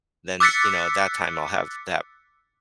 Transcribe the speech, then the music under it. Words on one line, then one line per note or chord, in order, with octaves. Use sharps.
then, you know, at that time, I'll have that
D6 E6 F#6 A6 B6 C#7